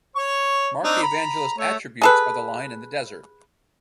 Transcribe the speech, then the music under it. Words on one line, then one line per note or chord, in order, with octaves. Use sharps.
Mark the Evangelist attributes are the Lion in the desert.
C#5 C#6
C4 D4 D#4
A#5 B5
A3 C#5
G#4 A4 B4